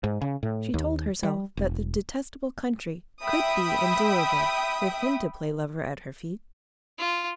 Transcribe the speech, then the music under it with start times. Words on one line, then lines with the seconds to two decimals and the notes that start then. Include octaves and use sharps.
She told herself that "the detestable country" could be endurable with him to play lover at her feet.
0.04 G#2
0.22 C#3
0.43 A2
0.74 D#2
1.23 G3
1.57 E1
3.24 E5 G5 B5 D#6
6.99 F4